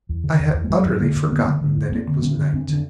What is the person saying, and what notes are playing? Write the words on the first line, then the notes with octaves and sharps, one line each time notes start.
I had utterly forgotten that it was night.
E2
C#3
E2
E2
A3
F2 F#3 G#3
F2
D3 G#3 A#3
F2
D3 B3
A#3
D3 A3 B3
D3
F2
F2 A#3 C4
D3
D3 B3 C#4
D3
F2 C4 D4
D3 D4